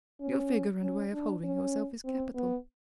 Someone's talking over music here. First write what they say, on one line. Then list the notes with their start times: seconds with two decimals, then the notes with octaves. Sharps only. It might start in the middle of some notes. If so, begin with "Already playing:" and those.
Your figure and way of holding yourself is capital.
0.21 C#4
0.82 C#4
1.13 D4
1.44 C#4
2.05 C4
2.35 B3